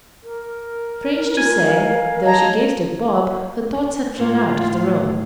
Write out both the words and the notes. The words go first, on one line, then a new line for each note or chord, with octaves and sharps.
Strange to say, though she gazed at Bob, her thoughts had flown out of the room.
A#4
D#4
F4 G#5
F5
C#5 D#5 A5 A#5
A2 F4